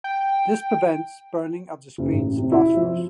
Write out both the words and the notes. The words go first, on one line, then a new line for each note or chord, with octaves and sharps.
This prevents burning of the screen's phosphors.
G5
F#1
A1
C3
E4
F3